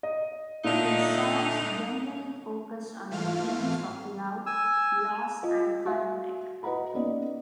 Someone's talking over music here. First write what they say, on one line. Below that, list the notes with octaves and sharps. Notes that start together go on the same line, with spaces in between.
His songs generally focus on the themes of love, loss and heartbreak.
D#5
A#2 D3 A3 D#4
F7
G#2 E3 A3 F4 F5 F6
G#5 E6
F4 D#5
F#4 E5 F5
F#4 B4 D#5 F#5 A#5 B5
A#3 B3 C#4 D#4 D5 D#5